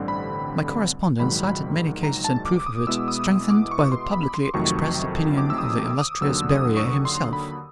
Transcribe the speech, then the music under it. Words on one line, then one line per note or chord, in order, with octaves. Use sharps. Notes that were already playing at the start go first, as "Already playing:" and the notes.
My correspondent cited many cases in proof of it, strengthened by the publicly-expressed opinion of the illustrious Berryer himself.
Already playing: A1 G2 D3 G3 C4
B5
A#1 G#2 D#3 F#3 B5
A#5
A5
D6
D#6
B2 G#3 B3 E4 E6
D#6
D6
C#6
C6
B5
B5
C6
F2 C3 D#3 F#3 A3 C#6
D6
E6
D#6
D6
D#6
D#2 D3 F#3 E6
D#6
C#6
C6
B5